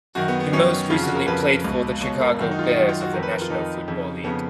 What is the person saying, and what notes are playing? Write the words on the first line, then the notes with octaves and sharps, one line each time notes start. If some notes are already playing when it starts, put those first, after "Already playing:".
He most recently played for the Chicago Bears of the National Football League.
F#2 D#3 F#4
B3
B3
F#2 D#3 C#4
F2 C#3 F4
F#4
A#4
F2 C#3 B4
C#2 B2
C#2 B2 C#5
A#4
F#2 D#3 F#4
D#4
F4
D#4
F#2 D#3 F#4
F4
F#4
F2 D#3 A#4
B4
A#4
F4
F2 D#3 D#4
F2 C#3
F2 C#3 B3